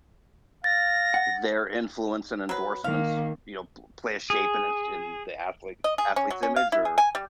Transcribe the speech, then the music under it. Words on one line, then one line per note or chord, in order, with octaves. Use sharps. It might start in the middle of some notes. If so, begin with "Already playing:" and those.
their influence and endorsements, y you know, p play a shape in s in the athlete athlete's image, or
F5 A6 A#6
F#5
F#3 B4
D#3 A#3 F5
G#4
D#5
G#4
C#4
F#3
C#4
F5
E4
G#4
G#5
G3